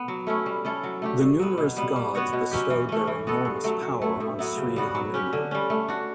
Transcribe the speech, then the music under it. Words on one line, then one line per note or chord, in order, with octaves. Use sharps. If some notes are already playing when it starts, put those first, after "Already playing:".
The numerous Gods bestowed their enormous power on Sree Hanuman.
Already playing: B3
F#3
A3 C#4 E4
G3
C#4 E4 A4
F#3
A3 D4 G4
G2
F#3 B3
B2
G3 B3
G3
B3 F#4 C#5
B2
F#3 C#4 G4
E3
A3 C#4
E3
B3 F#4 A4
G2
F#3 A3
F#3
A3 E4
A2
F#3 B3 E4
C#3
G3 B3 F#4
F#3
C#4 G4
D3
G3 C#4
A3
D4 F#4